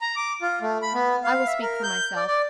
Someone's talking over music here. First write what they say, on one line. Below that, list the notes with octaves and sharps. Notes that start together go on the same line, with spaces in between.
I will speak for myself.
A#5
D6
F4
A3
B5
B3
F5
E5
A#4
G6
D5
D5